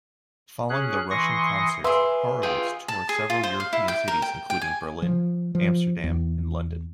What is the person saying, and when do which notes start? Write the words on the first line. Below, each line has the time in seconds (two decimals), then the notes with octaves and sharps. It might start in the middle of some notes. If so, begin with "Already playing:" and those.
Following the Russian concerts, Horowitz toured several European cities including Berlin, Amsterdam, and London.
0.69 C#4 G#4 F#6
1.11 E3 C6 C#6 D#6 A#6
1.84 G#4 B4 E5 C6 D6 E6
2.43 F4 G#4 G5
2.88 A5
3.09 G#4
3.30 F4
3.43 C5
3.60 F5
3.73 E4
3.88 G5
4.08 A#4
4.22 G5
4.50 G5
4.62 G#5
5.02 F3
5.55 F3
6.04 E2